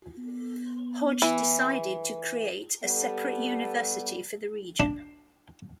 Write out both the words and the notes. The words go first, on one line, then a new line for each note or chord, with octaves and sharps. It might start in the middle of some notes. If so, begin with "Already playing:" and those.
Hodge, decided to create a separate University for the region.
B3
E3
G3 B3 G4 A4
D4